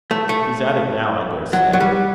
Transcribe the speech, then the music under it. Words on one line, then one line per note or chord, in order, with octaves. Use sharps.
He's at it now, I daresay.
A3
A3
F#3
F#3
G3